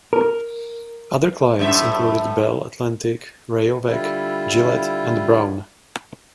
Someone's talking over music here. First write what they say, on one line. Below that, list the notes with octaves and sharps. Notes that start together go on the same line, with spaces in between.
Other clients included Bell Atlantic, Rayovac, Gillette, and Braun.
A#4
F#2 A2 E5
D3 G3 E4 F4